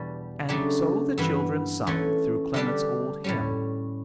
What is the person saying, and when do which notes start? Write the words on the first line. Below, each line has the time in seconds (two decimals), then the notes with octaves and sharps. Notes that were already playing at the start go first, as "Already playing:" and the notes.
And so the children sung through Clement's old hymn.
Already playing: E2 B2 G3 D4
0.49 C#3 F#3 A3 D4 G4
1.18 G2 E3 B3
1.87 E3 A3 C#4
2.54 D3 G3 D4 G4 B4
3.24 A2 G3 C#4